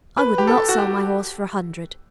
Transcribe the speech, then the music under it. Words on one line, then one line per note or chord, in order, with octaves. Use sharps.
I would not sell my horse for a hundred.
B4
G4
A4
F#4
G4